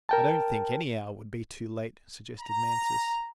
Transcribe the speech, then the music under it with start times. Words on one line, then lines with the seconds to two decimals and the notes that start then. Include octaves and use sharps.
"I don't think any hour would be too late," suggested Mansus.
0.09 A#4 G5 A5
2.41 A#5